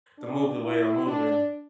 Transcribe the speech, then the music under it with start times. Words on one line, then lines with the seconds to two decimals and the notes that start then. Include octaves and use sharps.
to move the way I'm moving
0.19 D4
0.63 E4
1.06 D4